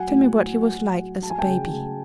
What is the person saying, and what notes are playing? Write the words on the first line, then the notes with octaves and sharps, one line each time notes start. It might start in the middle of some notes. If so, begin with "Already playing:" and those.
Tell me what he was like as a baby.'
Already playing: F#3 F#5 G#5
A2
A2
F#3
F#3
F#3
F#3 A5
G#5
G5 A5
C#3
C#3